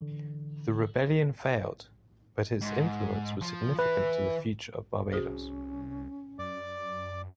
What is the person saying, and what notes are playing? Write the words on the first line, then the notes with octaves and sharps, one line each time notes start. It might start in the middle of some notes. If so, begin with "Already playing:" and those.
The rebellion failed but its influence was significant to the future of Barbados.
D3 E3
G#2
F3
E3 E4 B4
C2 C#4 F#4 G#4 C5
F#2 D5 D6